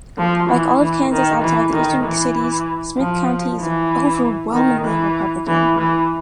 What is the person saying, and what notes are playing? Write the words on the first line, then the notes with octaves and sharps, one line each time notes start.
Like all of Kansas outside the eastern cities, Smith County is overwhelmingly Republican.
F3
E3
E3
D#3
E3
D#3
E3
F3
E3
D#3
E3
E3
E3